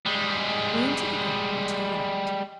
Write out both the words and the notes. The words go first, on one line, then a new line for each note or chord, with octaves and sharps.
We entered the gallery to the right.
G3 G#3